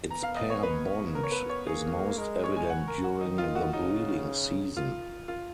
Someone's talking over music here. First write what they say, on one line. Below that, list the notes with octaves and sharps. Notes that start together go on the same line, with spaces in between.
Its pair bond is most evident during the breeding season.
B3 A#5
F5
D#5
C#5
B4
A#4
C#5
B4
C#5
A#3 G#4
G#3 A#4
C#5
G#5
F#5
A#4
F#4
D#3 D#4
F4
F#4
C#3 D#4
F4
F4